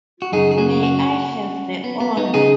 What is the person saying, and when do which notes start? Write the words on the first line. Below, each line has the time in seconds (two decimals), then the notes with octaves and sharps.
May I have the honor?
0.22 F#4
0.32 F#2 C#3 D#4 G#4
0.52 G#4
0.58 C#4 F#4
0.83 C#4 F#4
1.84 B3
2.00 B3
2.17 B3 D#4
2.34 C#3 D#4 G#4